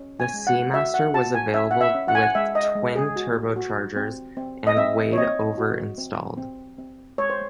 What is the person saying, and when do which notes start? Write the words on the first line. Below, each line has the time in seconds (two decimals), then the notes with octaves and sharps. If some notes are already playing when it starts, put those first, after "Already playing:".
The Seamaster was available with twin turbochargers, and weighed over installed.
Already playing: C#4
0.20 G#5
0.34 G#3
0.47 F#5
0.73 F#4 E5
0.94 F#5
1.14 F#4 A5
1.34 G#5
1.54 C#4 E5
1.71 F#5
1.81 E5
1.95 C#4
2.08 F#5
2.15 G#5
2.22 F#5
2.35 G#3 E5
2.55 D#5
2.75 G#3
2.95 G#4
3.16 F#4
3.56 F#4
3.96 C4
4.37 C4
4.67 D#5
4.77 C4 E5
5.13 C#5
5.17 C4 D#5
5.58 F#4
5.98 C4
6.37 C4
6.78 C4
7.18 G#3 C#5
7.30 C5